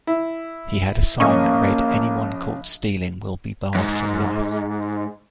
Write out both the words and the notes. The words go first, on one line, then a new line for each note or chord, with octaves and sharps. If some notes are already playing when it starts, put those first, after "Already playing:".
He had a sign that read: "Anyone caught stealing will be barred for life".
E4
A#1 A#3 C#4 D#5 C#6
F2 G#2